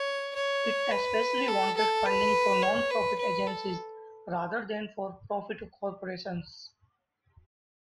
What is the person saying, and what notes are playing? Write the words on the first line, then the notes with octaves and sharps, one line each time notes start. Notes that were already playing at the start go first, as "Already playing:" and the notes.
It especially wanted funding for nonprofit agencies, rather than for-profit corporations.
Already playing: C#5
C#5
B4
A4
A4
B4
C#5
B4
B4
A4